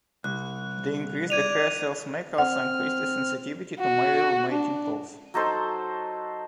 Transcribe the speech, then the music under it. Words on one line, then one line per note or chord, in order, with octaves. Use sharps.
The increase the hair cells make also increase the sensitivity to male mating calls.
C2 F#6
D5 G#6 D#7 F7
C4 F#5 F6
F#4
D4
F#3 D#4 A4 C5